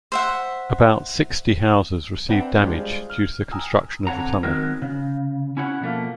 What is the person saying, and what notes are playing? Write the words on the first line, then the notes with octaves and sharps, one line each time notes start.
About sixty houses received damage due to the construction of the tunnel.
C5 E5 F#5
C4 D4 B4 E5 F#5 G5
G3 G#3 D4 F4 G4 C5
F6
G5 G#5 A#5 D#6 E6
D3 C4 C#5 F#5 A#5
D#3 F#3 G#3 B3 C4 A#4
C#3
C#4 E4 C#5 F#5
B2 F3 A3 A#3